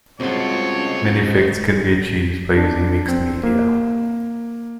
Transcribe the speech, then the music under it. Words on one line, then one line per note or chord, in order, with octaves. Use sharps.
Many effects can be achieved by using mixed media.
C#2 G3 G#3 C4 F4 F#4 A4 C#5
D4
C4
A#3